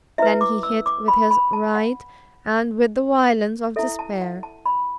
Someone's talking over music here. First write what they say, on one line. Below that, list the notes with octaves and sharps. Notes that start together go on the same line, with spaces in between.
Then he hit with his right and with the violence of despair.
E4 B4 E5
D6
E6
D6
B5
B5
A5
F#5
E4 A4 E5
A5
F#5
A5
B5